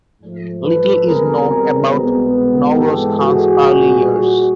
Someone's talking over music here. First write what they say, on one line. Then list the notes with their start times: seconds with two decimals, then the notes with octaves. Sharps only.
Little is known about Nowroz Khan's early years.
0.21 G#2 F3 A3
0.64 A4 B4
1.06 E2 B2 G3 C4 G#4 A#4
1.48 G#4 A#4
1.91 C2 B2 G#3 B3
2.76 G#2 E3 G#3 G4 A4
3.18 F#4 G#4
3.61 A#2 G3 A#3